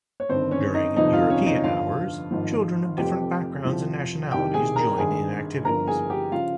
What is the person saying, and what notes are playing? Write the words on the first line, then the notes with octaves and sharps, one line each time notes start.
During "European hours", children of different backgrounds and nationalities join in activities.
C#5
G1 G2 D#3 C4 C5
C#4 C#5
D#4 D#5
G1 F2 C3 F3 D#4 D#5
F4 F5
C#4 C#5
D#4 D#5
G1 G2 F3 F4 F5
G#1 G#2 F3
F1 F2 C3 F3 G4 G5
C2 C3 F3
C2 C3 D#3 G4 G5
G#4 G#5
A#4 A#5
G#1 G2 D#3 G#4 G#5
G1 G2 F3 A#4 A#5
G#4 G#5
G4 G5
C#3 F3 F4 F5